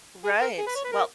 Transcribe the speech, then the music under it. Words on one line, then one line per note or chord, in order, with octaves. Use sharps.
Right, well,
G#4
A#4
G#4
B4
C#5
B4
A#4